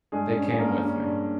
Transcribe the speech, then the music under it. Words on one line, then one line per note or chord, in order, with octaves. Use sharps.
They came with me.
G2 G#3 G#4
G3 C#4
G#4
G2 A#3 A#4
G3 C#4
G2